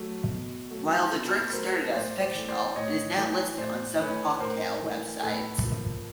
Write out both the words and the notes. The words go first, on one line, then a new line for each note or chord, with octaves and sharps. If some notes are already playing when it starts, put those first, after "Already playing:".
While the drink started as fictional, it is now listed on some cocktail websites.
Already playing: F#3 A3
B2
F#3 A3
B2 A4 B4
B4
F#3 A3 A#4 C5
A2 C5 D5
C5 D5
E3 A3
C5 D5
A2 C#5 D#5
E3 A3
A2 C5 D5
E3 A3 B4 C#5
A2 A#4 C5
E3 A3
A2 A4 B4
F3 A#3